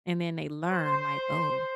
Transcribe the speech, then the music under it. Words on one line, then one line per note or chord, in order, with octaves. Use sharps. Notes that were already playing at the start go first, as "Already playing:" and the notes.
and then they learn, like, "Oh"
C5